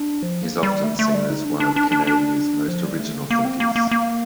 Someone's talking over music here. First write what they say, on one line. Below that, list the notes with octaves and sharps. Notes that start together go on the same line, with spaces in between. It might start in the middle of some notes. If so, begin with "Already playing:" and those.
He is often seen as one of Canada's most original thinkers.
Already playing: D4
F3
A#3
G3
A3
A3
G3
D#4
D4
D4
D4
D4
D4
F3
G3
A3
A#3
A#3
C4
A#3
A#3
A#3